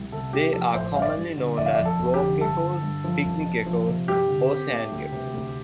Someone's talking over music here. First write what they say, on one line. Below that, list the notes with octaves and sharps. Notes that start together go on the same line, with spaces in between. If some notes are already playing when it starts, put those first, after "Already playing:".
They are commonly known as dwarf geckos, pygmy geckos, or sand geckos.
Already playing: C2
C3 A4
A3 G4
F3 A4
A1 C5
G2 F5
D5
G3
D3
F1 D5
F5
F2 D5
A4
F1
G4
D3
G2 A4
D3
G2
F3
F1
F2
F3
C3
G2 G4
D3
C4
A3
D2
C3
D2